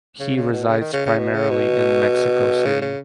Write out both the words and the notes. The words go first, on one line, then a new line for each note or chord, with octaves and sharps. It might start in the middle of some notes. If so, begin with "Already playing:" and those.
He resides primarily in Mexico City.
C#3
C#3
B2
C#3
D#3
C#3
C#3
B2
C#3
B2
C#3
C#3